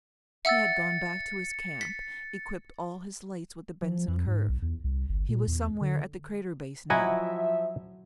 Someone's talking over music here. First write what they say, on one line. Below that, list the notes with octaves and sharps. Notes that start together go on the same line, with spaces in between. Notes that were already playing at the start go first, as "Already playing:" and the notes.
He had gone back to his camp, equipped all his lights with the Benson curve. He was somewhere at the crater base now.
E5 F#5 E6 A6 C#7
B6
F3
F2
G#2
B1
E2
C2
G1
A#2
E2
D3
F3 F#3 E4 D#5 E5 F#5 G#5